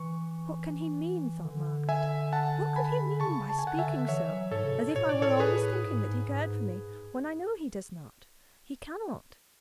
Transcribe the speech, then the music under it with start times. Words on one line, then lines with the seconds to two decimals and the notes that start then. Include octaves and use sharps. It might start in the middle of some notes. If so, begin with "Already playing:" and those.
'What can he mean?' thought Margaret,--'what could he mean by speaking so, as if I were always thinking that he cared for me, when I know he does not; he cannot.
Already playing: E3 C#6
1.45 D3
1.89 E5 G#5
2.33 F#5 A5
2.76 G#5 B5
3.20 C#3 A5 C#6
3.50 A5
3.59 G#5
3.64 D3 F#5 A5
3.79 E5 G#5
4.08 E3 C#5 E5
4.30 F#3
4.51 G#2 A4 C#5
4.64 C#3
4.74 B2
4.95 A2 C#5
5.09 D5
5.22 A4 C#5
5.40 G#4 B4
5.83 G#2
6.28 G#2